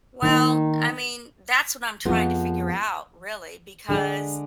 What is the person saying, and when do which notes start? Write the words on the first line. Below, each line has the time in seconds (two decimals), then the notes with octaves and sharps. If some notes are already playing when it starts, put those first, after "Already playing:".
Well, I mean, that's what I'm trying to figure out, really, because,
0.22 D#3 A#3 D#4
2.05 F2 F3 G#3 B3 F4
3.89 D3 G#3 D4 G#4